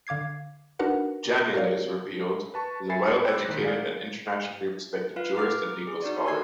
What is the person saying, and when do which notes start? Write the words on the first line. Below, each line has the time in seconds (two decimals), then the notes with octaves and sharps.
Janning, it is revealed, is a well-educated and internationally respected jurist and legal scholar.
0.07 D3 F5 D6 G#6 C7
0.79 D4 D#4 F#4 A#4 B4 F#5
1.54 F#4 A#4 C#5 D5 F5
2.54 B4 A5 C#6
2.89 E5 G#5 B5 A6 C7 C#7
3.25 C5 G5 B5 D6 E6 F#6
3.48 A#1 D#3 B6
3.62 G#4 A#4 D5 F5
5.16 F4 B4 F5
5.36 A#5 D6 F6
5.73 D6
5.87 G#4
6.02 D#4 F#4 D5
6.25 G#5 C6 E6 G#6 C7